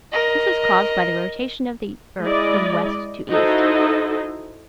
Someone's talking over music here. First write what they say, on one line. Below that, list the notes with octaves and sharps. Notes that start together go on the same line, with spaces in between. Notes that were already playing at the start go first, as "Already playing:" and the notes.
This is caused by the rotation of the earth from west to east.
A#4 D#5
G#3 E4 D5 D#5
D#4 E4 F#4 A4 C5 D#5